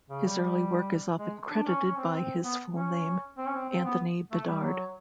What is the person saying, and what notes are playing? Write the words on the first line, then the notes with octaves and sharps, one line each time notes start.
His early work is often credited by his full name - Anthony Bedard.
C#3
G3
G3
G#3
D4
C#4
C#4
C4
C4
B3
C#4
C4
C#4
C4
C4
B3
A3
G3
F#3